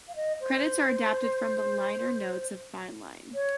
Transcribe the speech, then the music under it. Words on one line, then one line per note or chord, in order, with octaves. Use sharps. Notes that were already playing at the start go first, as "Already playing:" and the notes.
Credits are adapted from the liner notes of "Fine Line".
F5
D#5
C5
C#5